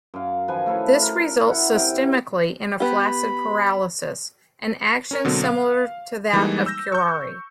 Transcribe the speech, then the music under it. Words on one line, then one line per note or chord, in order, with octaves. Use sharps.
This results, systemically, in a flaccid paralysis, an action similar to that of curare.
F#2 F5
D#3 F3 B4 G#5
A3 E4 C#5
A#4
E4 F#5
C3 G5
B3 G4 B5
C#4 A#4 C#5
B2 D3 F#3 A#3 C4
F5
E3 G3 G#3 A#3 D#4
E6 G6 A#6
C#6 G6